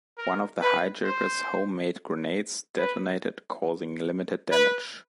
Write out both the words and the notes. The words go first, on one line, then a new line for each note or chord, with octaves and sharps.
One of the hijackers' homemade grenades detonated, causing limited damage.
A#4
B4
C5
B4
B4